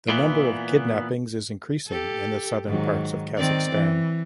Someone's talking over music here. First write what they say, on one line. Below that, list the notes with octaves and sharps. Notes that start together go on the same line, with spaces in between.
The number of kidnappings is increasing in the southern parts of Kazakhstan.
A#2 E3 B3
G4 A4
G#2 D#3 F#3
D#3 C4 D5
E3